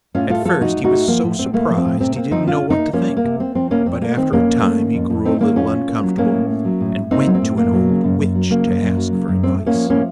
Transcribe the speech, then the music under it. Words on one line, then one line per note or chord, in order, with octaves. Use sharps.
At first he was so surprised he didn't know what to think, but after a time he grew a little uncomfortable, and went to an old witch to ask for advice.
A2 C#4 F4
A3 F4 A4
F3 F4 A4
A2 D#4 F#4
A2
D#4 F#4
A3
F3 A#3
A2
A2 C4
A3 A#3
F3
C4
A2
C3 C4
A#3 C4
F3 C4 D#4
C3 C#4 F4
C3
C4 D#4
A#3
F3 A#3 C#4
C3
A#3
C3
A#3 C4
F3 C4
C3 A#3 C#4
F2 C4
A3 A#3
D#3 C4
F2 A#3 C#4
F2
A3
D#3
F2
F2
A3 C4 D#4
D#3 A#3 C#4
F2 C#4 F4
A2
A#3
F#3
A2 A#3 C#4
A2
A#3
F#3
A2
A2
A#3 C4 D#4
F#3
C4
A2
F#2 A#3
F#3
C#3
F#2
F#2
F#3
C#3 A#3
F#2
F#2
F#3
C#3
F#2
A2 C4
A3
A#3 C#4
F3
A2 A#3 C#4